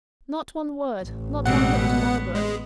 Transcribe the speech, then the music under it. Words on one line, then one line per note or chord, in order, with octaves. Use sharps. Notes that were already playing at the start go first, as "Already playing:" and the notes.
Not one word: not one look to Margaret.
A1
B2 G3 G#3 C4 F#5
B3
G#3